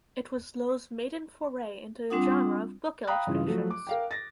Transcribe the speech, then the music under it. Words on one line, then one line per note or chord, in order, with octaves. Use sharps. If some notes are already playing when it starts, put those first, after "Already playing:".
It was Loh's maiden foray into the genre of book illustrations.
G3 C4 D4 F4 F#5 D#6
F5 G5 A#5 B5 D#6 F#6
G2 C#3 E3 F4
F3 F#3 A3
D6
A#4 F5 G5
A6 A#6